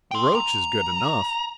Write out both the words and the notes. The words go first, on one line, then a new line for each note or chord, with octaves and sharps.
The roach is good enough!
G5 C6
A#5